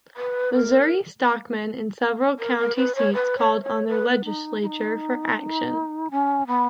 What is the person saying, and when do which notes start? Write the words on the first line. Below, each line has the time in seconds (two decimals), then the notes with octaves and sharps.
Missouri stockmen in several county seats called on their legislature for action.
0.17 B4
0.54 A#4
2.39 A#4
2.58 A#4
2.76 B4
2.96 C#5
3.14 B4
3.39 C#5
3.63 C#5
3.88 B4
4.25 D#4
4.62 E4
4.67 D#4
6.11 C#4
6.47 B3